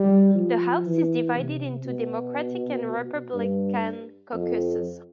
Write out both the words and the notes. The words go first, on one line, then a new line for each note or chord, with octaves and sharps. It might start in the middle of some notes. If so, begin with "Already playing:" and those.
The House is divided into Democratic and Republican caucuses.
Already playing: G3
F3
E3
C3
B2
G2
F2